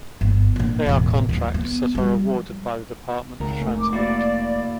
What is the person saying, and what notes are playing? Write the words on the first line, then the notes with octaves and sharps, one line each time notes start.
They are contracts that are awarded by the Department for Transport.
G1
A#2 D3
E1 A1
D#2 F#3
B3
F3 G3
C#2 G#2 A#4
F1 A3
D6
A#3 E4 F#4 D5